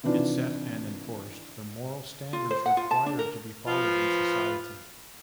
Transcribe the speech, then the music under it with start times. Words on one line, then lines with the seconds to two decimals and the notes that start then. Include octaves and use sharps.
It set and enforced the moral standards required to be followed in society.
0.03 C3 D#3 E3 D4 F4
2.33 F4
2.51 C5
2.66 F#5
2.77 F4
2.91 A5
3.06 D4
3.19 A#4
3.67 F3 F4 B4